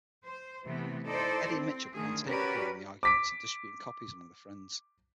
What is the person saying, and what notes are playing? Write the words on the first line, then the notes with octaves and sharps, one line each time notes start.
Eddie and Mitchell began tape recording the arguments, and distributing copies among their friends.
C5
C3 E3 A3 B3
D#4 E4 A4 C5 D5
C4
D3 D#3 A3 G#4
C#4 F#4 G4 A#4 B4 D5
D6 B6 D7